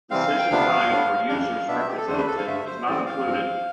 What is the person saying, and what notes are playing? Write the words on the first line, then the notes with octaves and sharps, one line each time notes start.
Decision time for users representative is not included.
C3 E3 G3 C4 F5
G5
D2 C3 F3 B3 D4 F5
A2 G3 B3 D4
F2 E3 G3 D4 F5
B2 B3 D4 E5
E5
G4
A4
E2 D3 A3 D4 C5
B4
A4
F5
G2 D3 A3 E5
C5
A2 E3 G3 C4 D5
F5
G2 F3 C4